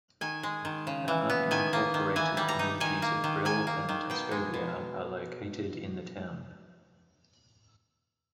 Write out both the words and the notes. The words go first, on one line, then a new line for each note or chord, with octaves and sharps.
The unincorporated communities of Brill and Tuscobia are located in the town.
D#3 G#5
G#3
D#3
C#3
E3
B3
D#3 G#5
A#3
D#3
E3 G#5
G3
A#5
D#4
D#3 G#5
A#3
D#3
D#3 G#5
A#3
D#3
B2 G5
G#3
B2